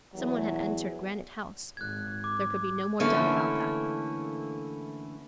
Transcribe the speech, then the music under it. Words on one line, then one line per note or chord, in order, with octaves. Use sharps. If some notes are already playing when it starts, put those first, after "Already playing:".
Some one had entered Granite House--there could be no more doubt about that.
E2 F#3
G#1 F#6 G#6
D6
D3 E3 A3 A#3 C#4 E4